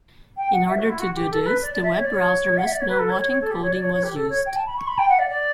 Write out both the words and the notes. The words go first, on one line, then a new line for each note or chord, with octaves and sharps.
In order to do this, the web browser must know what encoding was used.
G5
F#5
E5
F#4
E4
F#4
G4
A4
A4
B4
D5
D5
E5
C#5
D5
C#5
F#5
E5
D5
C#5
B4
A4
C#5
C#5
C#5
A4
G4
C#5
D5
C#5
C#5
G4
A4
C#5
G5
A5
B5
C#6
B5
G5
F#5
D5
D5